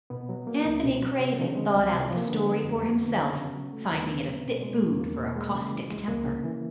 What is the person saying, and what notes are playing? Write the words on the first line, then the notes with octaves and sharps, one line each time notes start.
Anthony Craven thought out the story for himself, finding it a fit food for a caustic temper.
B2 B3
F#3
A#3
C#2
B2
F#3
C3 C4
F3
G#3
C#2
C3
F3
A#3
D3 B3
F#3
F2
F2 B3
D3
F#3
C#3
F#3
A3
D#2 B3
C#3
F#3
B2
G#3
E2
E2 A#3
B2
G#3
C#3
E3
G#3
C#2 A#3
C#3
E3